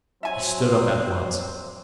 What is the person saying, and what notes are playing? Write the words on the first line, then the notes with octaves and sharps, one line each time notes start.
He stood up at once.
F#3 C4 E5 G#5